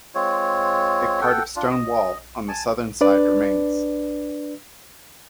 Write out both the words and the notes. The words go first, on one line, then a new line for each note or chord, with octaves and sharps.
A part of stone wall on the Southern side remains.
G#3 C4 F4 C#5
A4 F#5 G5
D4 F4
D#5
G#5 A5
D4 B4 D5